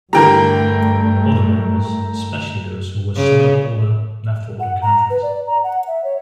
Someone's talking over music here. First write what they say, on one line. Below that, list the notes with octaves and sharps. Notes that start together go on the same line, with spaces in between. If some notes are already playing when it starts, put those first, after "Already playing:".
Other members, especially those who were somewhat older, left for other countries.
G2 D3 E3 G3 A3 A#4 G5 A#5
C#3
F#5
A#5
B4
D5
A#5
F#5
E5
C#5